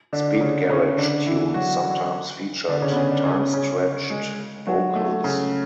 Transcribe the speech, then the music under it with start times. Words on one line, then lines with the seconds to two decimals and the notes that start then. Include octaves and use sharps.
Speed garage tunes sometimes featured timestretched vocals.
0.13 D3 D4
0.41 C#3 C#4
0.70 C#3 C#4
0.98 D3 D4
1.26 E3 E4
1.54 F#3 F#4
2.68 D3 D4
2.82 C#3 C#4
2.92 B3
2.97 C#3 C#4
3.11 D3 D4
3.25 C#3 C#4
3.54 C#3 C#4
4.10 G#3 G#4
4.67 F#3 F#4
4.95 A3
5.24 C#3 C#4